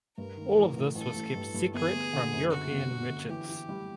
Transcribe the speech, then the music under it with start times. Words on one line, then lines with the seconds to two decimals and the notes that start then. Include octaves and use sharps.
All of this was kept secret from European merchants.
0.17 G2 A#4
0.37 D#3
0.57 A1
0.77 A1
0.95 A1 A4
1.16 A1
1.35 G2
1.54 G2
1.74 G1 G#4
1.93 G1
2.13 D3
2.32 F#2
2.51 D3 F#4
2.71 G1
2.90 G1
3.10 D3
3.29 E3 G4
3.49 E3
3.69 G3